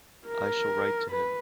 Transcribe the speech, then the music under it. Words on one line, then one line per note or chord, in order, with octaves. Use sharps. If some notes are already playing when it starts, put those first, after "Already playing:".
I shall write to him.
A#4
B4